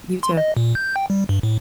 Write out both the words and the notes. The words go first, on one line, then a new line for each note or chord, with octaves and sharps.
You too.
C6
D#5
A#2
G6
G5
G3
G2
A2